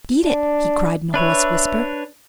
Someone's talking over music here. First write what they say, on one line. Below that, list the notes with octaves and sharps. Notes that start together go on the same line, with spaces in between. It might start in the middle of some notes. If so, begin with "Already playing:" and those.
"Beat it!" he cried in a hoarse whisper.
D4
D4 B4 C#5 E5